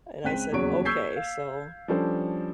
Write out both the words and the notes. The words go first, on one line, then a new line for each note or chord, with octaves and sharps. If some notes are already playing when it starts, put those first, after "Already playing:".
and I said, "Okay," so,
C#2 C4 G5 F#6 B6 D#7
D#1 E2 C#3 F#3 C#5 D7
C#6 E6 G6 G#6 B6 C7
F5
F3 G3 C#4 D4 A4 C5